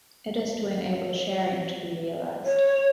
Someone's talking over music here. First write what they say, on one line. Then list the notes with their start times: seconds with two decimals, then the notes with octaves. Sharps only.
It is to enable sharing to be realized.
2.45 C#5